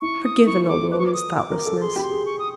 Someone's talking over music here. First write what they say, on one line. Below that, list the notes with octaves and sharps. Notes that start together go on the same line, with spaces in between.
Forgive an old woman's thoughtlessness.
E4 C#6
D#6
E4 C#6
C#6
A4 D6
C5
B4 D6
C#6
D6
D#6
D6
A#4
D6
A4
G#4 C6
G4
B5
C6
G#4
C#6
D#6